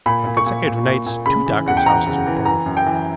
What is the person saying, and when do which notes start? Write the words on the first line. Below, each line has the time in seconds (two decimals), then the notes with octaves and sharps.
On consecutive nights two doctors' houses were burgled.
0.06 A#2 B5
0.27 A#2
0.37 C#6
0.46 A#2
0.67 A#2
0.86 A#2
1.06 A#2
1.26 C#3 B5
1.46 E3
1.66 E2 F#5
1.77 G5
1.86 E2 A#5
2.07 C#3
2.27 E3
2.46 E3 A#5
2.66 F#2
2.77 G5
2.86 E3